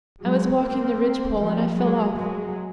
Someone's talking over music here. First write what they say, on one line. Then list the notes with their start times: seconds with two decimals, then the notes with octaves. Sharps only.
I was walking the ridgepole and I fell off.
0.21 F#3 G#3
0.59 A#3 C4
1.37 F3 G3
1.76 F#3 G#3
2.15 F#3 G#3